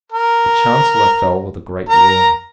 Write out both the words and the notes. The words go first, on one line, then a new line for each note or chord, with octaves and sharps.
The Chancellor fell with a great ruin.
A#4
A#4 A#5